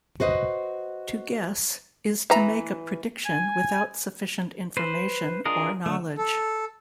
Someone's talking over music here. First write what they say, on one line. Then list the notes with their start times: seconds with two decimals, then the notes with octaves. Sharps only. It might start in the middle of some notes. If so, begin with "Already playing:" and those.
To "guess" is to make a prediction without sufficient information or knowledge.
0.20 F#4 B4 C5 D#5
2.30 E3 A#5
3.25 G#5
4.77 B4 C5
5.45 D4 F4 G#4 A#4 D#5
5.86 D3 A3
6.18 A4